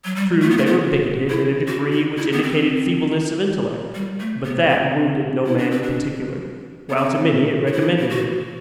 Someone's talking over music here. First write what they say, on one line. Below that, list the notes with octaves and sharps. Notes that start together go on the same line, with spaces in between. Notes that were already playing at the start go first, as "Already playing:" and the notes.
True, they were bigoted in a degree which indicated feebleness of intellect; but THAT wounded no man in particular, while to many it recommended them.
F#3
G3
A3
B3
A3
B3
E4
F#4
F#4
E4
B3
C4
G3
A3
B3
C4
E4
D4
C4
D4
B3
C4
D4
E4
E4
F#4